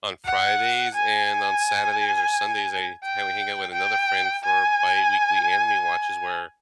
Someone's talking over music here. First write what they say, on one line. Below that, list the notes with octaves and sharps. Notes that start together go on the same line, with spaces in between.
on Fridays, and on Saturdays, or Sundays, I ha we hang out with another friend for biweekly anime watches where
F#5
G#5
G5
G5
G#5